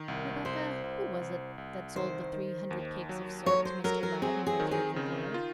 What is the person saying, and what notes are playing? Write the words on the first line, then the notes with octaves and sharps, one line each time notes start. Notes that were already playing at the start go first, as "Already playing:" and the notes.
"Rebecca, who was it that sold the three hundred cakes of soap to Mr. Ladd in North Riverboro?"
Already playing: D#3
C2
C2 C5
C2
C2
C2
D#3 C5
D#3
D#2
F#3
F#3 C#5
C5
F#3 A#4
A#4
C4 G#4
G#4
D#3
G#4
C#3
F4